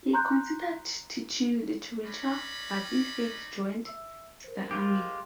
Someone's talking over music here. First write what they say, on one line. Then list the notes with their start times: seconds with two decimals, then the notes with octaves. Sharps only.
He considered teaching literature but instead joined the Army.
0.13 A#5 C6 F#6 G6
2.04 C#4 D#4 D5 B5
3.86 E5 E6
4.44 A#4 C5
4.71 G#3 F4 G4